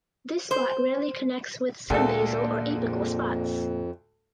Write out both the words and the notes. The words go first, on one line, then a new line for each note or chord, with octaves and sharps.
This spot rarely connects with subbasal or apical spots.
C5
D2 A#2 G#3 A#3 D4 A4
F2